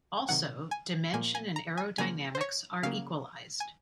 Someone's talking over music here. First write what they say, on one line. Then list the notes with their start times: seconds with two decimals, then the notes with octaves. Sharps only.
Also, dimension and aerodynamics are equalised.
0.28 C3 D#3 F#3 F#5
0.71 G#5
1.13 A#2 F3 A#3 G#5
1.35 G#5
1.56 A#5
1.77 G#5
1.98 C#3 F3 A#3 G#5
2.35 C5
2.41 C#5
2.83 C#3 F#3 A#3 F5
3.60 G#5